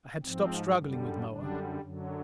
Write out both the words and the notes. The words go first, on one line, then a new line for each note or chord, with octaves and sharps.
I had stopped struggling with Moa.
G#2 F3 C4
F#2 D3 G3
F#2 D3 G3 D4
F#2 D3 F#3